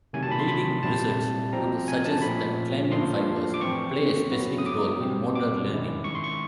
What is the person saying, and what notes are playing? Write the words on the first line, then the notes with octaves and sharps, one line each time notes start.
Leading research would suggest that climbing fibers play a specific role in motor learning.
C3 D#3 F#3 A3 G#5
A5
B5
C6
B5
A#2 G3 C4 E4 A5
F3 A3 C4 A#5
G#5
A5
A#2 F3 A3 C#4 B5
A2 F3 A#3 D4 C6
D6
E3 A3 C4 C#6
F#3 B3 E4
D#6
D6
B2 G3 C4
D6
D#3 G#3 C#4 E4
C#6
C6
C#6